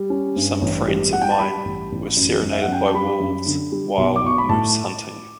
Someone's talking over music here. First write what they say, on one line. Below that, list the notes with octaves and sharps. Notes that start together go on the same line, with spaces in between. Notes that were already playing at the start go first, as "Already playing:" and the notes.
Some friends of mine were serenaded by wolves while moose-hunting.
Already playing: G3
C#4
G2
A1
G3
G3 F#5
G5
A5
G3 B5
A1
A1
F#2
F#2
E5
F#5
F#2 G5
A5
G3 B5
F#2
D3
G3
B1
D6
B1 C#6
B5
A2 A5